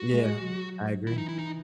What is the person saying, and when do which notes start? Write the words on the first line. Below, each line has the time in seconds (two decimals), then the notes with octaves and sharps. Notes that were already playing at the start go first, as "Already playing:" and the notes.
Yeah, I agree.
Already playing: F#4
0.10 G#3
0.42 F#3
1.07 E3 E4
1.18 D#4
1.29 E4
1.39 D#4